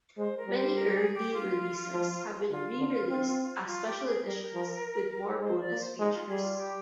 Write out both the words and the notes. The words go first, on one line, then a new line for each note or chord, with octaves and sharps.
Many early releases have been re-released as special editions, with more bonus features.
G#3 C5
A#4
G3
C5
A#4
G#4
G4
F4
F3
D3 F4
D3
C4
F4
G4
G#4
G3 A#4
F3
G#3 C5
D5
A#3
C5
G#3 D#4
F4
G3 G#4
F4
G4